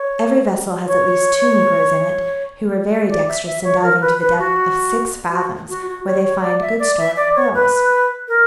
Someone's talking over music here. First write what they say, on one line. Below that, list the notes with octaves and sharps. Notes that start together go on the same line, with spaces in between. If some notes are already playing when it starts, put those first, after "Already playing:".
Every vessel has at least two negroes in it, who are very dextrous in diving to the depth of six fathoms, where they find good store of pearls.
Already playing: C#5
C#5
D5
E5
E5
C#5
A#4
B4
B4
F#4
F#4
F#4
F#4
C#5
C#5
D5
E5
D5
E5
D5
C#5
B4
A#4